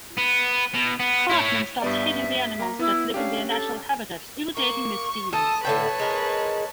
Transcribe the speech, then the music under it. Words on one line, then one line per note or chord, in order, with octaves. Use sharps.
Cartman starts hitting the animals that live in their natural habitats, irritating Miss Stevens.
B3
B2
B3
E4 C#5
G2 B3 D5 E5
A#3 A#5
B3 E4
C#4 D4 G4 F5
A4
A#3 C#6
A4 A5 D#6
A2 D3 B4 C#5 G5 A5
G#3 A#4